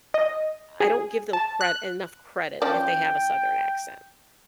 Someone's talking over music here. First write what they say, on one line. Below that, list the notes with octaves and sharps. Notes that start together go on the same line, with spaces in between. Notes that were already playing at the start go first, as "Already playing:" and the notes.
I don't give them cred enough credit if they have a southern accent.
D#5
G#4
A5
F#6
F3 C#4 D5 G5